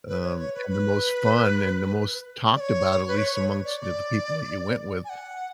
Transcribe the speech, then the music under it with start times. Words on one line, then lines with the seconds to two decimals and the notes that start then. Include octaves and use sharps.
um, and the most fun and the most talked about, at least amongst the the people that you went with,
0.08 B4
0.23 C#5
0.39 C#5
0.54 B4
0.70 B4
2.56 D5
2.60 C#5
3.08 B4
3.18 C#5
3.34 C#5
3.65 D5
3.80 D5
5.05 G#5
5.09 F#5